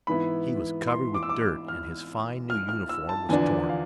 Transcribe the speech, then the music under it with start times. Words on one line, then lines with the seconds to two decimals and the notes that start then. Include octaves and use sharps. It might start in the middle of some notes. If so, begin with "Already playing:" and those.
He was covered with dirt and his fine new uniform was torn.
0.07 G#2 E3 B3 E4 B5
0.88 C6
1.14 D6
1.23 E6
1.29 D6
1.42 D6
1.68 F6
2.50 F6
2.69 F6
2.89 E6
3.09 A5
3.29 E2 D3 F3 B3 D4 G#5
3.69 F5